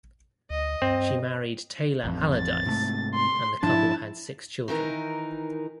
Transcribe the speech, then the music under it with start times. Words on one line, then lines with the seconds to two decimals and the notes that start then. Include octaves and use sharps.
She married Taylor Allerdice and the couple had six children.
0.50 D2 D#5
0.82 G2 C4
2.04 A1 F2
2.37 A6
2.66 G#2 C3 A3
3.15 C6
3.63 G#2 F3 D4 E4 A5
4.68 D#3 E3 D#4 A#4